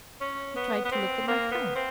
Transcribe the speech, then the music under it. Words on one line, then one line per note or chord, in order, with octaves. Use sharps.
I tried to look at my tongue.
C#4
B3
B3
C4
A#3
B3
C4